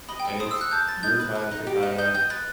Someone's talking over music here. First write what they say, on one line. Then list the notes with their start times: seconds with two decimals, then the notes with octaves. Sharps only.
and it's your time to kinda
0.09 D#5 B5
0.20 G5
0.25 A4
0.30 G5
0.40 C5 D#6
0.51 E6
0.56 A4
0.61 F#6
0.71 A5 G6
0.88 B4 A6
1.03 D#5 G6
1.20 B4
1.35 B4
1.51 D#4
1.67 G4
1.83 D#4
1.98 D#5 G6
2.14 G5 G6
2.30 B4 A6